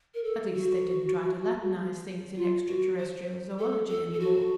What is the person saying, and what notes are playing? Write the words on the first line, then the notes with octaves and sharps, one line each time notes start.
At least, they didn't try to Latinize things in extraterrestrial zoology any more.
A#4
A4
F#4
F4
F#4
C5
A4
A4
A4
F#4